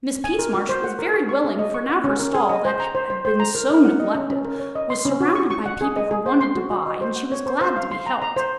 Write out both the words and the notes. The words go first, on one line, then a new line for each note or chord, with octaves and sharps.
Miss Peasmarsh was very willing, for now her stall, that had been SO neglected, was surrounded by people who wanted to buy, and she was glad to be helped.
G#5
A#4
F#4
C5
F#5
A#4
C#6
C#6
G#4
D#5
C#6
F#5
C#4
A#4
G#4
D#5
C5
A#5
C5
C5
C5
A#5
A#4
A#4
F#5
D#5
C#4
C#4
A#4
C#5
D#5
C6
C#4
F#4
C#6
C#6
F#5
G#4
D#5
G#4
C5
C6
F#4
F#4
D#5
C5
F#5
C#5
C5
C5
F5
C6
A#5
A#5
C5